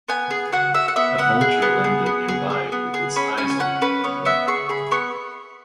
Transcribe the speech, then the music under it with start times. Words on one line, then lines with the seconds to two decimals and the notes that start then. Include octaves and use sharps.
A vulture landed nearby with its eyes on the little girl.
0.08 B3 G#5
0.31 G#4
0.52 F#4 F#5
0.74 F#4 E5
0.88 F#5
0.96 B3 E5
1.18 B3 F#5
1.41 G#4
1.62 B3
1.84 G#4
2.06 B3
2.28 G#4
2.50 G#4
2.72 B3
2.94 G#4
3.16 C#4 B5
3.37 C#4 G#5
3.50 G#5
3.60 C#4 F#5
3.82 C#4 B4
4.04 B3 C#5
4.25 B3 E5
4.48 G#4 C#6
4.69 G#4 B5
4.91 B3 C#6